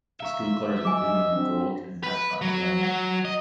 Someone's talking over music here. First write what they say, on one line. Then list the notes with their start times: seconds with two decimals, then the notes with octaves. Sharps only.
The school colors are blue and gold and the mascot is a lion.
0.20 E5 F5 A#5 C#6
0.85 F#3 D#5 G#5 D6
1.31 F#3 C4 D4
2.03 B4
2.41 F#3
2.83 F#3
3.25 D#5